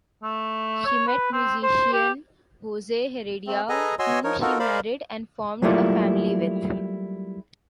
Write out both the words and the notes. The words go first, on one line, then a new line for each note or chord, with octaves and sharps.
She met musician Jose Heredia, whom she married and formed a family with.
A3
C#5
B4
C4
C5
G4
A3 C4
G#4 A4 B4 D#5 G#5 A#5
F#4 C#5 D#5 G#5 C6 E6
F3 D#4 A#4 C#5
B3 D#4 F4 F#4 A4 A#4
A#4 C5 D5 F5 B5
F#3 G3 A3 A#3 E4 F4